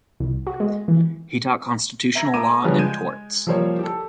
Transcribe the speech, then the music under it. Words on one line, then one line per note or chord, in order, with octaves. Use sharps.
He taught constitutional law and torts.
C2
F#4
G#3
E3
E5 A#5 G#6 A#6
A3 A#5 D6 D#7
C#3 F3 G3 B3 C#4 D4
G#3 G6 G#6 D#7
F3 G3 A#3 C5 C#5
G4 A4